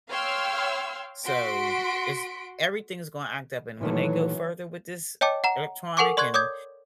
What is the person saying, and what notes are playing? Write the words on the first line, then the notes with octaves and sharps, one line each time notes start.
So, it's everything's gonna act up, and when they go further with this electronic and
C#5 F5 G5 C6 E6 F6
F#4 C6 B6 D7
A#2 D#3 E3 F#3 A3
C#5 D#5 G5 A5 D6
F#5 A#5
A4 A#4 F#5 G#5 C#6 D6
D5 C6 C#6 F#6 G#6
C#5 D6 D#6 G6 G#6